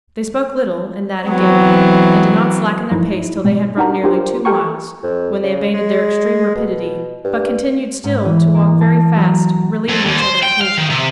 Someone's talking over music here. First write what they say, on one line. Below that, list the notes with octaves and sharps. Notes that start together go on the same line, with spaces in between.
They spoke little, and that in Gaelic; and did not slacken their pace till they had run nearly two miles, when they abated their extreme rapidity, but continued still to walk very fast, relieving each other occasionally.
E3 F#3 B3 C4
G2 F3 D#4 E4
G#2 B2 G3
D4 D#4 F#4 A#4
D4 F4 G4 A#4 C5
G4 A4 A#4 G5 G#5 C#6
F2
C#3
G#3
B2
G2
G#2
E3
A#3
A5
F#3
F2
D#2
C5
G5
F5
D#3
C3